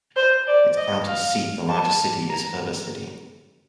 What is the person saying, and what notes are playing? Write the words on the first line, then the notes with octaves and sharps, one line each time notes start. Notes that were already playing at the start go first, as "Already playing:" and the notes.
Its county seat and largest city is Heber City.
C5
D5
D#5
F5
A5
A#5